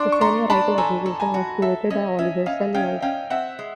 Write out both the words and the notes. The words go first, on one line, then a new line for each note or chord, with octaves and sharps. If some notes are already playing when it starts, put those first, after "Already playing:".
The Sonia Rykiel Exhibition was curated by Olivier Saillard.
Already playing: D4 C6 D6
C#6
A3 A#5 C6
D4 A5 B5
A4 G#5 A#5
A4
G#5 A#5
F#4
A4 E5
C#4 D#5
C#4 E5
C#4 D#5 F5
C#4 F5 G5
C#4 F5 G5
C4 E5 F#5
G#3